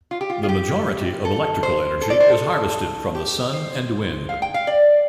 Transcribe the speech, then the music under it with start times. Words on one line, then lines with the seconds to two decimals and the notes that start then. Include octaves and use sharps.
The majority of electrical energy is harvested from the sun and wind.
0.11 F4
0.21 G4
0.30 F4
0.43 F4
0.49 G4
1.25 A4
1.63 C5
2.01 A4
2.10 D5
2.20 C5
2.30 A4
3.15 G4
3.53 C5
4.29 F5
4.42 G5
4.54 F5
4.67 D5